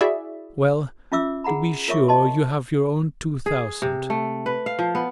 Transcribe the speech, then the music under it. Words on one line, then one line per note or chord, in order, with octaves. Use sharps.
Well, to be sure you have your own two thousand.
E4 F#4 G#4 D5 E5
C#4 F4 E5 D6 E6
G#4 F#5 A#5 B5
F4 A#4 C#5 E5 C#6 D6
D#5 A5 C6
G#4
C3
A3
B4
F5
F3
B3